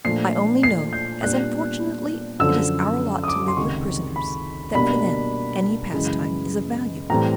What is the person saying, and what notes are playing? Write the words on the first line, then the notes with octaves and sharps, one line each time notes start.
I only know--as unfortunately it is our lot to live with prisoners--that for them any pastime is of value.
A#2 F3 A3 D4 C7
C7
G6
A#2 G3 B3 D4 F#6
F#2 D3 F3 E6
D#6
D6
C6
C#2 C3 D#3 C#6
B5
B2 G3 A#3 D4 B5
F#2 C#3 E3 G#3
A2 E3 G3 C4 A#5